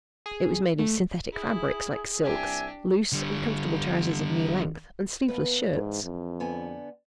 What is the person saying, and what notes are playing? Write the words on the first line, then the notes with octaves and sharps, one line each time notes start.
It was made of synthetic fabrics like silks, loose and comfortable trousers of knee length, and sleeveless shirts.
G#4
A3
E4 G#4
C2 D4 G4 E5 G#5
D3 G3
D#2 B3 B4
G#2 E3
F2
D3 B3 G#5